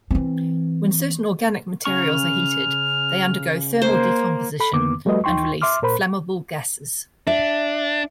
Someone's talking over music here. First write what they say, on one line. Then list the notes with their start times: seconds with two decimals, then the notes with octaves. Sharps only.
When certain organic materials are heated, they undergo thermal decomposition and release flammable gases.
0.11 E3 C4
1.85 C#3 C#4 C#6 F6
3.82 A#3 C5
4.60 A4 B5
4.72 F2 D3 D#3 A#3 B3 D6
5.05 F3 G3 A3 F#4 B4 D#5
5.24 D#2 D#4 G5 C6 C#6
5.62 E5 C6 D6 F6
5.82 A#2 A#4 C5 B5
7.27 D4 E5